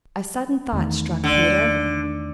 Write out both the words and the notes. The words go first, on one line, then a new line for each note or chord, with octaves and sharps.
A sudden thought struck Peter.
E2 D#3 A3
D3